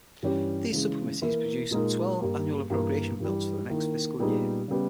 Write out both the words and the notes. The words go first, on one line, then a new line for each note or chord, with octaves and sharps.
These subcommittees produce twelve annual appropriation bills for the next fiscal year.
G2 E3 G3 C#4 G4
C#3 E3 G#3
E3 A#3 E4 A#4
A#2 G#3 D#4 A#4
G2 G3 A#3
G2 E3 A#3
G2 E3 G3
D#3 A#3 E4 A#4
A#2 G3 B3 D#4 G#4
C#3 G3 B3